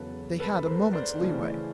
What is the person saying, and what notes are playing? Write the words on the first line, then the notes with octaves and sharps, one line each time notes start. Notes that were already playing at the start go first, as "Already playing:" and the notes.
They had a moment's leeway.
Already playing: E2 C#3 F#3 A4 B4
A4 B4
A#4 C5
C5 D5
C#3 E3 A3 C#4